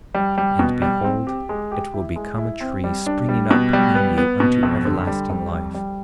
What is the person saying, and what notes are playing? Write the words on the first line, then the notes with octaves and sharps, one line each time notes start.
And behold, it will become a tree, springing up in you unto everlasting life.
G3
G3
B2
G3
C4
G4
G#3
G4
E4
G#3
E4
C4
G3
D4
G3
B2
G3
B3
B3
B2
F2
D3
G3
F2
G3
G3